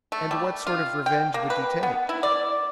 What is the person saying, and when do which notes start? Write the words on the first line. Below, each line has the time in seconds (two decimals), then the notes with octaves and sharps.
"And what sort of revenge would you take?"
0.12 A3
0.31 G3
0.67 F4
1.06 G5
1.34 A#3
1.50 B4
1.83 B3
2.09 E4
2.23 D5